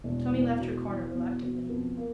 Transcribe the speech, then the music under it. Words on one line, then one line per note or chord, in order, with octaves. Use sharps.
Tony left her corner reluctantly.
E1
E2
B2
E2
B2
B2
F2 B3
A#3